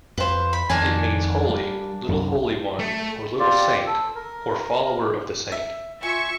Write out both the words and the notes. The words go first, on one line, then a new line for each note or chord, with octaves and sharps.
It means "holy", "little holy one" or "little saint", or "follower of the saint".
F2 B4 C5
B5
F2 D#3 A#3 D4 G#5
G3
C2 F#2
A3
C4 F4 G4 D5
A4 E6
A#4
E5
F4 E5 G#5 C#6